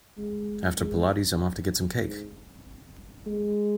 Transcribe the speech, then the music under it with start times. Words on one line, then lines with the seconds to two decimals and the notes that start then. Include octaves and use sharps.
After pilates, I’m off to get some cake.
0.18 G#3
0.79 G#3
2.03 G#2
3.26 G#3